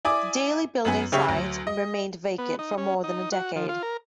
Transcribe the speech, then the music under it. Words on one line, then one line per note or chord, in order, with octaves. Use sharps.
The Daly Building site remained vacant for more than a decade.
E4 D5 G#5 D6 D#6
F#2 B3 G#5
C#3 C#4 G4 E5 C#6
D2 F#3
D#5
B3
D#4
C#4
D#4
F#4
F3
F4
A#4